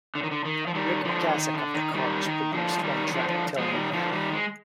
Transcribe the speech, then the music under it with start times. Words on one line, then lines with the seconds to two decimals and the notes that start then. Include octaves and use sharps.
Ric Ocasek of the Cars produced one track, "Tell You Now".
0.15 D3
0.23 D#3
0.31 D3
0.45 D#3
0.67 F3
0.75 D#3 G3
1.05 D3 F3
1.34 D#3
1.54 D3
1.74 D#3
1.94 D#3 G3
2.25 D#3
2.53 D3 F3
2.78 G#3
2.84 D#3 G3
3.07 G3
3.14 D3 F3
3.28 D3 F3
3.58 F3 G#3
3.74 D#3 G3
3.93 D3 F3
4.12 D#3 G3
4.32 G#3